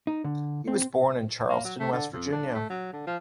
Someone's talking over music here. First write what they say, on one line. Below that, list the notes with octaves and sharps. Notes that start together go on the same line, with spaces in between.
He was born in Charleston, West Virginia.
D#4
D3
C4
A#3
F#3
A3
D3
F2
D4
A3
F#3
D3
F3